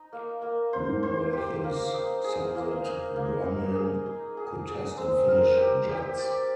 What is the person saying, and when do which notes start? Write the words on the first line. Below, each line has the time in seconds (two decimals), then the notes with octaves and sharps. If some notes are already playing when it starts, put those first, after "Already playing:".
Woolworth's, so that Grumman could test and finish jets.
Already playing: D#4
0.13 A#3
0.42 A#3
0.73 C5
1.03 C5
1.33 G4
1.64 A#3
1.94 D#4
2.24 G#4
2.55 A#3
2.85 D#4
3.16 A#3
3.45 D#4
3.75 G#4
4.06 D#4
4.37 G#4
4.68 G#4
4.97 C4
5.28 A#4
5.57 G4
5.89 G4
6.18 D5